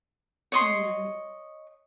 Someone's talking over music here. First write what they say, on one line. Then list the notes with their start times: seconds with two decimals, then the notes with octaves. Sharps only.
Yeah, me
0.52 C#5 D#5 C6